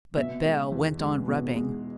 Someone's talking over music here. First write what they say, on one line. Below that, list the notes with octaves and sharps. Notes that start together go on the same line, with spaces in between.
But Bell went on rubbing.
B2 E5
G#3
E2
G#3
B2
G#3